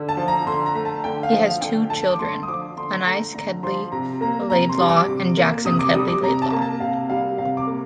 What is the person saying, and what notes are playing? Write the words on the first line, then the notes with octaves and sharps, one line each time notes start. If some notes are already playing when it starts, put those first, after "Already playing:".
He has two children - Anais Kedgley Laidlaw and Jackson Kedgley Laidlaw.
Already playing: D3
A5
F3
A#5
D3 C6
A#5
A3
A5
D3 G5
F5
F3
F5
D3 G5
A3 A5
D6
D3 C6
D#6
F3 D6
D3 C6
A3 A#5
D3 A#5
F3 C6
C3 A#5
A#3 A#5
C3 A#5
C6
G3
D6
C3
A#3
C3 D#6
D6
G3 D#6
D6
C3 A#5
A5
A#3
A5
C3 F5
G3 F5
C3 F5
D6
A#3